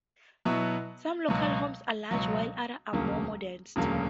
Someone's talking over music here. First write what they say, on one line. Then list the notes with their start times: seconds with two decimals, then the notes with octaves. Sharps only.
Some local homes are large, while others are more modest.
0.45 B2 F#3 B3 E4
1.28 C#2 B2 F#3
2.11 C#2 B2 F#3
2.93 E1 D2 C#3 F#3 A#3
3.76 E1 D2 C#3 F#3 A#3